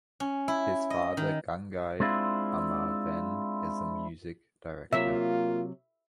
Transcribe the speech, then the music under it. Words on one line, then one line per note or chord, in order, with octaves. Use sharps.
His father Gangai Amaren is a music director.
C#4
E4
D#5
D#3
G#3 C4 D4 E4 F4
C3 F#3 A#3 F4 E5